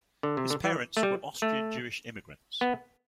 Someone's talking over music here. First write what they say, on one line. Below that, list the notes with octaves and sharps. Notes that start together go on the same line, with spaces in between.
His parents were Austrian Jewish immigrants.
D3
C3
D3
E3
A3
G3
A3
B3